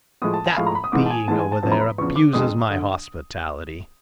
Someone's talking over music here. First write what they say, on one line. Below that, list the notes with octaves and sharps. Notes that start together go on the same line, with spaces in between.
That being over there abuses my hospitality.
A2 F3 G#3 D#6
A5
G#5
A2 F3 G#3 F5
A#5
B5
D#6
G#2 E3 G#3 D6
A5
G#5
G#2 E3 G#3 A5
G#5
A5
E2 C#3 F3 A5
A#5
B5
E2 C#3 F3 C#6
D6
F2 D3 F3 G#3 D#6
D3